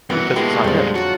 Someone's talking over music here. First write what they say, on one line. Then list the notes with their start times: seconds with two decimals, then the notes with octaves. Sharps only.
Because it's not him.
0.10 G2 E3 B3 F#4 A#4
0.36 A#2 G#3 A3 B3 E4 G4 D6
0.64 F2 D3 G3 D4 C5
0.95 F#3 F4 F#4